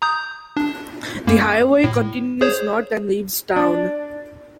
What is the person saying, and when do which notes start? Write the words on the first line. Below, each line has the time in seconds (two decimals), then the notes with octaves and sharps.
The highway continues north and leaves town.
0.02 A#5 D#6 G6
0.57 D4
1.27 F#2 A#3
1.84 A2
2.41 G#4 C5 C#5
3.56 D4